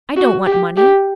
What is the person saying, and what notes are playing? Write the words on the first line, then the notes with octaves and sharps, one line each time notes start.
I don't want money.
F#4
G4
G4